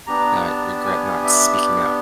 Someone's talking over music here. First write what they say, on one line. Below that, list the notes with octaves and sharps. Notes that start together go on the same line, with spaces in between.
not regret not speaking up.
B3 D4 G4 A#5
A5
G#5
E5